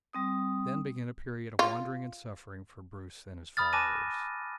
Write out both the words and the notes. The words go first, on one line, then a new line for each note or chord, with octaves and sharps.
Then began a period of wandering and suffering for Bruce and his followers.
G3 C4 D#6
F4
B5 D#6 F6 A6
G#5 A5 D6 F#6 A#6 D#7